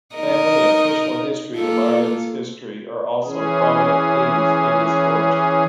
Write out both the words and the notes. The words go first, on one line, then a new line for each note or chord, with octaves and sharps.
Family and personal history and Ireland's history are also prominent themes in his poetry.
D#4 A#4 D#5
A#3 F4 A4
E3 C#4 G#4